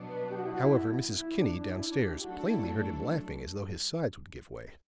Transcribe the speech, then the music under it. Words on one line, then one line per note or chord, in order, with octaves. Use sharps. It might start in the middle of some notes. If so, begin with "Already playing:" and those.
However, Mrs. Kinney, down-stairs, plainly heard him laughing as though his sides would give way.
Already playing: B2 F#3 B3 D4
B4
G4
F#4
E4
F#4
E4
E4
D4
D4
E4
D4
G4
E4
F#3 A3 D4 F#4 A4
E4